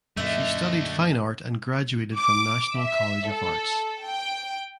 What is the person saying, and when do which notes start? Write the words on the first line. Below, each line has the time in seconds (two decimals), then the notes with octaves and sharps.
She studied Fine Art and graduated from National College of Arts.
0.17 F#2 A#2 D3 A3 D#5 E5
2.17 D6
2.76 E5
3.29 A4
4.04 G5